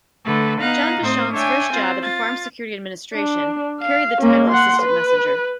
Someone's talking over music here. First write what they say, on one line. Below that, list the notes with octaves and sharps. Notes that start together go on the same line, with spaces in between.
John Vachon's first job at the Farm Security Administration carried the title assistant messenger.
D3 A3 A4 B4
B3 D#4 F5 A#5 F#6
A2 C4 C5 D#6
D4 C#5 E5 G5 G#5
C4 F4 C5
F4 A6
D4
F5
A#3 C#4
F#5 C6
B4